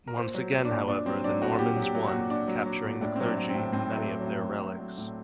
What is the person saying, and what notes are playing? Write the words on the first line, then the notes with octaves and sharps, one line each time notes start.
Once again however the Normans won, capturing the clergy and many of their relics.
A#4
A#2 C5
F#3
F#3
D4
A#2
A#2 D4
F#3 C4
F#3 D4
A#2 F#4
A#2 G4
F#3
G4
F#3
F#4
A#2
A#2 D4
F#3
F#3
A#2
A2 D4
F#3 C4
D4
F#3
C4
A2
A2 C4
F#3
A3
F#3
F#3
A2
A2
F#3
F#3
A2